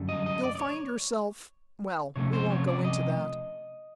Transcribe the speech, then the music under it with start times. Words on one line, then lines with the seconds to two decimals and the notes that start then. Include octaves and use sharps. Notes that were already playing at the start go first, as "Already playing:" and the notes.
You'll find yourself--well, we won't go into that.
Already playing: F#2 D3 G3
0.09 D#5
0.26 D#5
0.43 D5
0.55 D5
0.60 C#5
2.16 C3 F3 A3 C#4 C#5
2.33 C5
2.50 C#5
2.67 D5
2.85 D#5